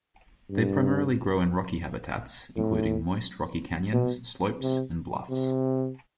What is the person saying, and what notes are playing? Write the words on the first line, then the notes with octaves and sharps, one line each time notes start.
They primarily grow in rocky habitats, including moist rocky canyons, slopes, and bluffs.
G2
A2
B2
C3
C3